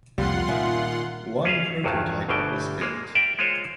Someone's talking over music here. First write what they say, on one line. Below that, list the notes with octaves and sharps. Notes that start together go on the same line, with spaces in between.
One prototype was built.
C2 F2 G3 A#3 F4 F#5 C6
A#2 D#3 C#4 E5 F5
C#4 F4 G#4 E5 F5
A#1 E2 G2 D#3 F#3
G1 D2 B2 F#3 G3 G5
G#3 A#3
A#4 D5 E5 G5
G#3 F4 C5 C#5